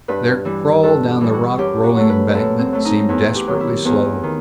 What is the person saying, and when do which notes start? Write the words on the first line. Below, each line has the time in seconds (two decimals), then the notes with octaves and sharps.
Their crawl down the rock-rolling embankment seemed desperately slow.
0.08 G2 B4
0.45 E3 G3
0.83 G2 A4
1.09 G4
1.21 E3 G3
1.33 F#4
1.58 F#2 G4
1.84 F#4
1.96 F#3 A3
2.09 B4
2.30 F#2 A4 B4
2.59 C4
2.73 F#3 A3
2.85 D#4
3.09 E2 E4
3.35 G4
3.47 D#3 F#3
3.60 E4
3.85 E2
4.23 D#3